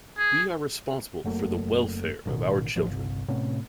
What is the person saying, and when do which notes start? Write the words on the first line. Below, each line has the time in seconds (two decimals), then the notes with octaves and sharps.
We are responsible for the welfare of our children.
0.18 G#4
1.24 F#1 F#3 A3 A#3
2.26 A1 G2 B2 D#3
2.76 A1 F3
2.89 G1 C2
3.28 A2 C3 B3 C#4